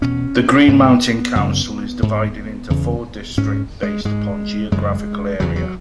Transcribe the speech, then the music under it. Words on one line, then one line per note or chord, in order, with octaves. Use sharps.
The Green Mountain Council is divided into four districts based upon geographical area.
E2 B2 C#4
G#2 B3
F#2 C#3
G#2
E2 C#3
G#2 C#4
G#3
G#2 G#3
F#2 C#3 G#3
E2 C#3 F#3
F#3